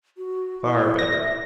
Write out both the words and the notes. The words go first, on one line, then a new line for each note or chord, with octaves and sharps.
Far better.
F#4
E4
D5 A#6
E5